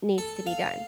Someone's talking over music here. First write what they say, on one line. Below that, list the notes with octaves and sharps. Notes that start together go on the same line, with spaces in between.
needs to be done.
A4
F5